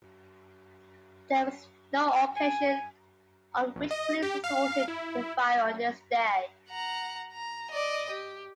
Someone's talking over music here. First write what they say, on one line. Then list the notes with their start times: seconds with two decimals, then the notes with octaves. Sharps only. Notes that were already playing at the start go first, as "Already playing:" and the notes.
There was no occasion on which police resorted to firing on this day.
2.37 G#5
3.76 A#1
3.91 D#5
4.22 G4
4.44 F5
4.88 E4
6.70 F#5 A#5
7.33 A#5
7.71 D5 D#5
8.10 G4